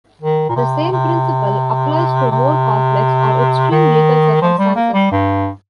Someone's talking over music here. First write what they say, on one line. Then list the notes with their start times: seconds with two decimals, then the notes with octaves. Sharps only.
The same principle applies to more complex or extreme legal circumstances.
0.22 D#3
0.49 A#2
0.56 C3
0.92 C3
2.32 C3
3.71 D#3
4.42 F3
4.59 G3
4.76 A#3
4.93 G3
5.12 G2